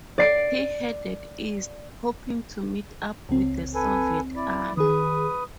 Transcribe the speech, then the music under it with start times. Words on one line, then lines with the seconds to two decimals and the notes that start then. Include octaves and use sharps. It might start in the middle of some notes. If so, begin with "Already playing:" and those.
He headed east, hoping to meet up with the Soviet army.
0.18 D5 C7 D7
3.29 C#2 C4
3.75 A4 B4 G#5
4.36 E4 D5
4.77 D#3 G#4 B4 D#6